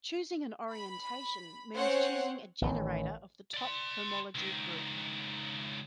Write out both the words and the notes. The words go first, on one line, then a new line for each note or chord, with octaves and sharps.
Choosing an orientation means choosing a generator of the top homology group.
B5
C4 C#4 C5 C#5 F#5
A1 D#3
D5 C6
C#2 D#3